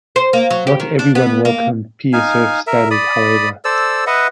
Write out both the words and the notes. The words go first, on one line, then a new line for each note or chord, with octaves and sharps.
Not everyone welcomed the PsF standard, however.
C5
A#3
F#3
G4
D#3
D4
B3
A#3
D#4 F5 G#5
A#4 E5
D5 B5 D#6
A4 C5 D5 E6
B4 D#5 E5 F#5